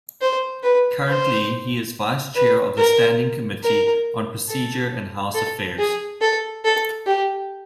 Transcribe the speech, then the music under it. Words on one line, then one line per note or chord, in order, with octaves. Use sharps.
Currently he is Vice-Chair of the Standing Committee on Procedure and House Affairs.
C5
B4
C5
B4
A#4
A#4
A4
A4
G#4
A4
A4
G4